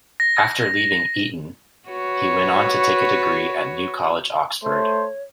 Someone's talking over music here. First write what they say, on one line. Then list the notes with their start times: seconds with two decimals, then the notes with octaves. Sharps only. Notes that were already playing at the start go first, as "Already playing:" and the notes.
After leaving Eton, he went on to take a degree at New College, Oxford.
0.20 A#6
1.89 F#4 B4 C#5
4.64 A3 C5 C#5